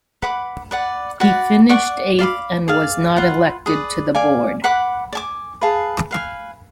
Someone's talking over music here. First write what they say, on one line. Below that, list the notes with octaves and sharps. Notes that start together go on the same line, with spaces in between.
He finished eighth, and was not elected to the board.
B4 F#5 B5 D6
B4 D5 F#5
F#4 B4 D5 F#5
D5 F#5 C#6
D5 F5 B5 D6
G#4 D5 F5
F4 B4 F#5
G#4 B4 D5
D5 F5 G#5
B4 F#5 B5 D6
D5
G#5 D6
G#4 B4 F5 A5
B4 F5 G#5